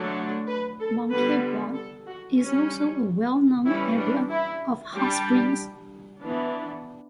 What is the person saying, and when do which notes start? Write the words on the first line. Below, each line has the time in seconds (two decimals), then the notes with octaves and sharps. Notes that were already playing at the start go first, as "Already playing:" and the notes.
Moncagua is also a well known area of hot springs.
Already playing: D3 F#3 A3 D4
0.47 B4
0.79 A4
1.11 D3 G3 B3 B4
1.74 A4
2.07 F#4
2.39 G3 C#4
3.66 E3 G3 C#4 E4
3.98 D4
4.30 E4
4.93 G3 D4 G4
6.21 E3 B3 D4